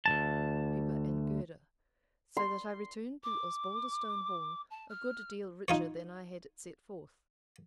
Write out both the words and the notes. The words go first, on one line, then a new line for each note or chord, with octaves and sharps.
Hooper and Girder, so that I returned to Osbaldistone Hall a good deal richer than I had set forth.
D2 G2 A5
C6
D6
A5
F6
D#4 F4 C#5